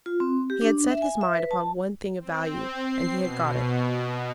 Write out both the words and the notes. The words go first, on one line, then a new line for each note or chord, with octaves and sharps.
He had set his mind upon one thing of value, and he had got it.
F4
C4
G4
D4
E5
G#5
E5
B4
A5
C4
C7
B2